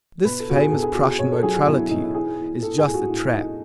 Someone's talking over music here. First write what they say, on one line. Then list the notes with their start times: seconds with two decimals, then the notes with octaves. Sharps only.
This famous Prussian neutrality is just a trap.
0.25 B2 B4
0.40 A4
0.49 B2 F#4
0.56 G#4
0.72 B2 A4
0.83 G#4
0.94 B2 F#4
1.05 G#4
1.19 B2 C#5
1.32 A4
1.43 F#3 G#4
1.55 F#4
1.67 B2 E4
1.90 B2 D#4
2.03 E4
2.14 E3 G#4
2.39 E3
2.63 A2 A4
2.78 G#4
2.86 A2
2.94 F#4
3.09 A2
3.33 A2 D#4